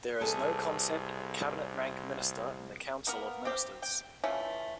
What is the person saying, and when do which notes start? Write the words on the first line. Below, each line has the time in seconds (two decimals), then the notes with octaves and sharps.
There is no concept of cabinet rank minister in the council of ministers.
0.21 C2 G#4 A4 B4
3.07 A#3 B3 A#4
3.45 C4 G4
3.82 G5
4.24 E3 A3 C#4 F4